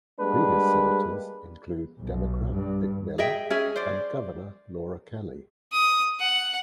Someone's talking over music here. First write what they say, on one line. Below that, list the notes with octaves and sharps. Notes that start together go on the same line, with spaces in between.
Previous senators include Democrat Vic Miller and Governor Laura Kelly.
G3 G#3 A#3 D4 B4
B1
G2
G#4 D#5 E5 G5
C#4 G#4 E5
C5 D5
D#6
F#5